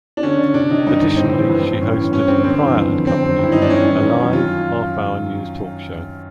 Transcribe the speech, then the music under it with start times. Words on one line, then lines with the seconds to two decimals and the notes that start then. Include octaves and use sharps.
Additionally, she hosted "Crier and Company", a live, half-hour news talk show.
0.17 D4
0.23 D3 C#4
0.38 D3
0.54 C3 D4
0.70 D#3 D#4
0.87 G2 D#4
1.02 D3
1.17 A2 C4
1.34 E3
1.49 G2
1.66 G2
1.81 A2 C#4
1.97 E3
2.12 G2 C#4
2.28 D3 C4
2.44 G2 C4
2.60 E3
2.76 F2
2.92 D3
3.07 D#3 C4
3.23 F#2
3.39 G2 E4
3.52 G2 D#4
3.62 D4
3.70 E3 C#4
3.85 E3
4.02 D#3
4.18 F#2
4.33 F4